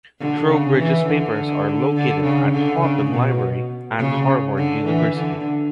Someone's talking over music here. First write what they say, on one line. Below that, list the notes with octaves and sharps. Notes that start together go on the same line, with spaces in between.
Trowbridge's papers are located at Houghton Library at Harvard University.
D3
C#3
E3
D3
D3
C#3
D3
C#3
B2
C#3
D3
E3
D3